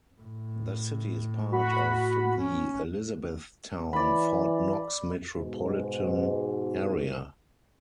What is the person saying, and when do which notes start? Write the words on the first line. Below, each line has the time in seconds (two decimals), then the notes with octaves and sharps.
The city is part of the Elizabethtown-Fort Knox Metropolitan Area.
0.21 A2
1.52 F#4 B5
2.41 C#4
3.93 E3 D5 B5
5.37 G#2 B2